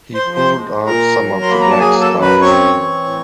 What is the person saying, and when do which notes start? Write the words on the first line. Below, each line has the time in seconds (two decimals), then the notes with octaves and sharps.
He poured out some of the black stuff.
0.14 C5 C6
0.25 F3
0.35 C5 C6
0.56 G#3
0.86 A#2 A#4 A#5
1.18 F#3
1.42 C6
1.49 A#3 B5
1.61 A#5
1.70 A5
1.80 F#3 G#4 G#5
2.00 A4 A5
2.11 F#2
2.21 B4 B5
2.42 C4 C#5 C#6
2.73 E3
3.04 A2